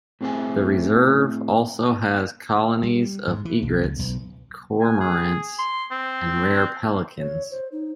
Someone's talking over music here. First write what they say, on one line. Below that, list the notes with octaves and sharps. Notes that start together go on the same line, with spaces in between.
The reserve also has colonies of egrets, cormorants, and rare pelicans.
A2 C4 G#4 C5 E5 G#5
G3
G#2
E3
B1
C#2
B1
G#5
G#4
C6
C4
C#5
C5
D#4